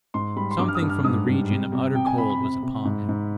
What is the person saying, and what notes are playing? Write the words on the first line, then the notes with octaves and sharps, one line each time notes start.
Something from the region of utter cold was upon him.
G#2 C6
G3 B5
C6
G2 D6
F6
D#6
G2
F6
G#2 D#6
G3
C3
C3
C3 G5
G#5
C3 B5
B5
C3
C3
G#2
G#2